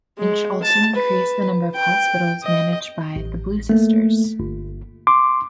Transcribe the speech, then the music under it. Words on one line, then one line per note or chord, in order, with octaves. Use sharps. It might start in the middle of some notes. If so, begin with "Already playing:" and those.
Lynch also increased the number of hospitals managed by the "Blue Sisters".
G#3
A5
B4
G5
D#5
A1
A3 A#3
G1
C6 D6